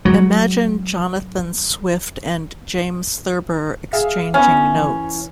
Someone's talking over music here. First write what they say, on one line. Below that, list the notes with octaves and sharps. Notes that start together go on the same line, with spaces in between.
Imagine Jonathan Swift and James Thurber exchanging notes.
F#3 G#3
G#4 E5 F5
B3 C#4 E4
E3